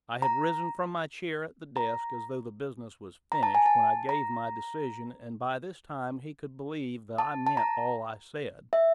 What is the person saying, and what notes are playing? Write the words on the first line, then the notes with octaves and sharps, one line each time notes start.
I had risen from my chair at the desk, as though the business was finished, when I gave my decision; and by this time he could believe that I meant all I said.
A#5
A#5
A#5
A5
G#5
A5
A#5
A5
A5
A#5
E5